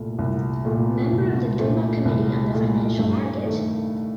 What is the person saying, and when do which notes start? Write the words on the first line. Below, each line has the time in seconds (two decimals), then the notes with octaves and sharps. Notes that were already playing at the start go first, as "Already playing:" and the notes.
Member of the Duma Committee on the Financial Market.
Already playing: C2 A#2 A3
0.18 C2
0.65 A#2 A3
1.13 C2
1.59 A#2 A3
2.05 C2
2.53 A#2 A3
2.99 G2
3.46 D#3 A3